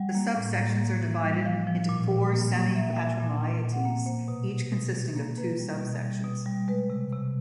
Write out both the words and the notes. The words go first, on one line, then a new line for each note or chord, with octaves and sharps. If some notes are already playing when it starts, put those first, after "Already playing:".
The subsections are divided into four "semi-patrimoieties", each consisting of two subsections.
Already playing: G3 F#5
A#3
A2
A#3
A#3
E3
G3
F3 F5
F3
A#2
A#2
A#3
A#3
A#3 E5
A#2 G5
G#5
A#2 G#5
A#2 G5
A#2
F#5
A#3
A#3 C5
B2
B2
B2
B2
A#3
A#3 B4
G3
B2
G3
B2
G3
G#3 B4
C3
C3